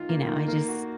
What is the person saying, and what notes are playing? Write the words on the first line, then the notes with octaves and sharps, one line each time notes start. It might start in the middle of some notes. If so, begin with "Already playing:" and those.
you know, I just
Already playing: D#3 F4
A#3
D#3
A#3
F#4